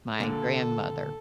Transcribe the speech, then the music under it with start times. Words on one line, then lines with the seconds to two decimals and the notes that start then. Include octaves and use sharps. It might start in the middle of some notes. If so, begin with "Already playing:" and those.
my grandmother
0.20 A#2 D3 A4